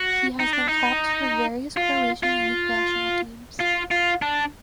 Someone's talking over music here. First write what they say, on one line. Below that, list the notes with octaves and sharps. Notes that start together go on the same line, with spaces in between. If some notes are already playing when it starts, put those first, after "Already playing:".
He has been capped for various Croatian youth national teams.
Already playing: F#4
D#4
D4
D#4
F4
F4
F4
F4
D4